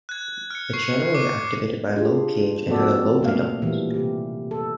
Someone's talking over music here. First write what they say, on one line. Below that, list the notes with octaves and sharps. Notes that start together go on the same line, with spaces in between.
The channel is activated by low pH and has a low conductance.
F#6 G#6
F6 C#7
C#6 C7 C#7
D6 D#7
D4 F4 G4 G#4
F3 A#3 C4 F#4 A4 D5
B2 A3 A#3 F5
A#2 E3 G3 A#3
C3 G4
A4